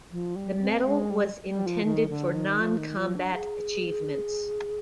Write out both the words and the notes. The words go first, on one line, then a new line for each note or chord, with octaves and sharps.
The medal was intended for non-combat achievements.
F3
G3
C4
G#3
G3
G3
F3
D#3
D3
D#3
F3
D#3
F3
D4
G#4